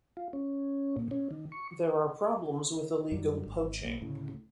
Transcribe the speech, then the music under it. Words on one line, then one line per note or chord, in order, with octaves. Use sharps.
There are problems with illegal poaching.
F4
C#4
A#2
C#4
D#3
C#6
F#2 F#3 G3 D4
G#1
B1 A#3
D2 A2 C#3